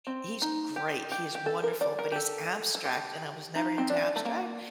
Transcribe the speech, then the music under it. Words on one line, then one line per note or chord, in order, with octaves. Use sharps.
he's great, he is wonderful, but he's abstract, and I was never into abstract.
C4
D#4
G4
G4
G4
A4
A#4
D5
A#4
G4
A4
A4
G4
D#4
C4
D4
A3
A#3